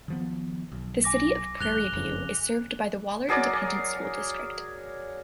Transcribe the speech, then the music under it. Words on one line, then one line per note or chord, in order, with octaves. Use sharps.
The City of Prairie View is served by the Waller Independent School District.
D#3 F3 B3
B1
G#5 D6 A#6
A1 G2 F#6 F7 G7
F#1 F2 C#3
F#3 G#4 A#4 D5